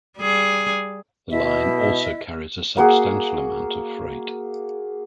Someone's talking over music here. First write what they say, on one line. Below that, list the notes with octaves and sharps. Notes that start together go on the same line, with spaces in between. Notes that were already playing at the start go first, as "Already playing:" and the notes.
The line also carries a substantial amount of freight.
G3 G#4
B2 E4 D#5 E5
A#3 F#4 G#4